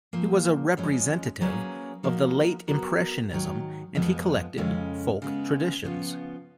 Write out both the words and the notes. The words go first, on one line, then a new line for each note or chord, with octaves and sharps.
He was a representative of the Late-Impressionism and he collected folk traditions.
A#2 F3 A#3
F2 F3 G#3 C#4
F#3 A#3 C#4 G#4 B4
F3 A#3 D#4 F#4 A#4
F#3 B3 F#4 A#4
G#2 D#3 F#3
F2 F3 G#3 B3
F2 C#3 G#3 C#4
C#3 G#3 B3
C#3 F3 B3 F4